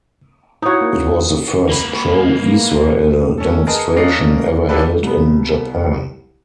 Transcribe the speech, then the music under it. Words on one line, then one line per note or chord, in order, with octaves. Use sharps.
It was the first pro-Israel demonstration ever held in Japan.
D#4 E4 F#4 C#5
A#3
A#3 B4
C#4 A4
G#4 A#4 B4 D#5 A5
A#3 C#4 D4 D#5 C7 D7
E3 F3 G3 D4 A4 B4
C2 B3